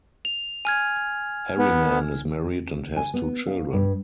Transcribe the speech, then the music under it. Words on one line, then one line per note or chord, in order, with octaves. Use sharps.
Harriman is married and has two children.
F7
G#5 F6 G#6
B3
G#5
B3
F5
G2